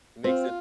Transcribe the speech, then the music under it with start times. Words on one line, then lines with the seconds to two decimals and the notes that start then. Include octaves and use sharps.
It makes it
0.24 C4 F4